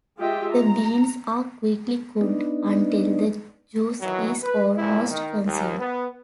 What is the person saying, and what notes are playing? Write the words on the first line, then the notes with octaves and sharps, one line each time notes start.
The beans are quickly cooked until the juice is almost consumed.
G#3 F4 G4 D#5 E5 G5
A#5
B3 D4 D#4
D#3 E3 F#3
B4
F2 A#2 G3 E4
D#3
D#2
B3